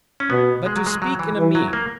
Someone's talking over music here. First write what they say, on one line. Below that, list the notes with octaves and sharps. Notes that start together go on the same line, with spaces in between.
But to speak in a mean.
C#4
B2 B3
G#3
F#3
G#3
F#3
E3
E3
F#3
A#3